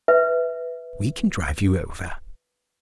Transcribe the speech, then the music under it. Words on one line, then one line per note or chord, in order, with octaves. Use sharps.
We can drive you over.
B4 E5